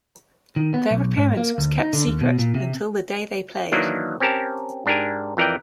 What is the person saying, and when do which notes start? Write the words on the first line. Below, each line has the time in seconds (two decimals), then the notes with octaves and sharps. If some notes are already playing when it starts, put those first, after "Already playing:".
Their appearance was kept secret until the day they played.
0.56 D#3
0.74 B3
0.91 B1
1.17 G#2
1.37 A#3
1.58 D2
1.79 D#4
1.93 D3
2.07 D#2
2.21 B2
2.39 A#2
2.55 C3
3.72 D#3 E3 F#3 A#3 D4
4.20 C4 C#4 G4 A#4 A5
4.86 G#2 D4 G4 A#4 G#5
5.37 F2 E3 A#4 D5 G5